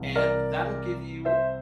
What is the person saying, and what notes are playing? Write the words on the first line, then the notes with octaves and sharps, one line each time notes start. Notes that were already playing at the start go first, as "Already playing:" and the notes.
and that'll give you"
Already playing: C2 C3 E3
A#4 D5
C5 E5